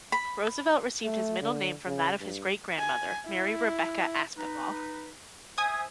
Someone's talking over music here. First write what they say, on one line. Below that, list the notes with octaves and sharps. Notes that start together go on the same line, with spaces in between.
Roosevelt received his middle name from that of his great-grandmother, Mary Rebecca Aspinwall.
B5
A3
D3
C#3
G2
G#5
E4
D#4 B4
C5 E5 G#5 D#6 G#6